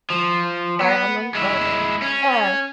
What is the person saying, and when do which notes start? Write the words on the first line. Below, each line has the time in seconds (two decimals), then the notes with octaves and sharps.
Fire Emblem, oh okay. Yeah,
0.10 F3
0.81 B3
1.35 G#3 E4
2.02 C#4